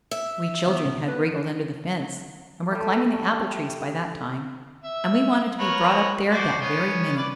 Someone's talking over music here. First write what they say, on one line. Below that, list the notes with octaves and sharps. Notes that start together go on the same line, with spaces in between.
We children had wriggled under the fence, and were climbing the apple trees by that time, and we wanted to be brought up there that very minute.
E5
D#3 B3
A1 C3 D4
B3 B4
G3 A3
E5
A#4 B4 C#5
F#4 C5 D5
B3 C#4
B4 D5